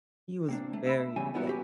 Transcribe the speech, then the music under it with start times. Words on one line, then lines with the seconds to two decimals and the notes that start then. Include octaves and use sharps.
he was very, like,
0.49 C3 A#3 D4
0.73 A3
0.86 E5 B5
1.16 E2 C#3 G3 G#5
1.34 G3 B3 D#4 E4 F#4
1.47 F#4 G4